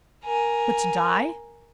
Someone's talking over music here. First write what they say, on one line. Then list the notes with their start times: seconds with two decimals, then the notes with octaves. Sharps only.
But to die?
0.24 A#4 G#5